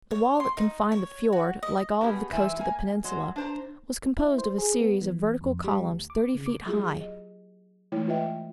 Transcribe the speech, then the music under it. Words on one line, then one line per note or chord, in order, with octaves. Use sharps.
The wall that confined the fiord, like all the coast of the peninsula, was composed of a series of vertical columns thirty feet high.
C#5
C6
D#4
C#5
F#4
D#5
B2 B3 G4 G#4
G#2 E3 E5 G#5
A#3 G#5
F#3 G#3
D4 C5 A#5
E4
C5
G#4
B3
E3
F2
G3
D2
D6
C#3
D6
F#3 A#3 E4 F4 G4 G#4
D#5
E3 G#3 A3 D#4 E4 C#5
F4 B4 D#5 E5 G5